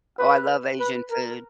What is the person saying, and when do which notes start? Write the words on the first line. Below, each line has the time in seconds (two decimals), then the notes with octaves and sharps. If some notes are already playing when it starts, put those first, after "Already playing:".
Oh, I love Asian food.
0.19 B4
0.80 B4
1.11 A#4